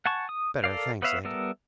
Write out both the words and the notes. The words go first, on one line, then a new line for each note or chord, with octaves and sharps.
"Better, thanks, Ed."
F#5 G#5 A5 C#6
D#6
A4 A#4 D5 F5
B3 B4 C#5 E5 F5
G3 B3 A4 A#4 E5